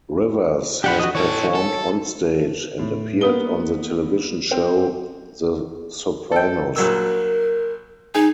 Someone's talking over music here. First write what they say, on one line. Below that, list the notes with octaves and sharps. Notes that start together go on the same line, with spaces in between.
Rivers has performed onstage, and appeared on the television show "The Sopranos".
F3 D4 G4 F#5 B5
F#4 D#5
E3 A4 C#5
A4
A2
A#3 B3 B4 D#6 G7
C4 G5
A4 G5
A#1 F#3 A#4 E6
D#4 G#4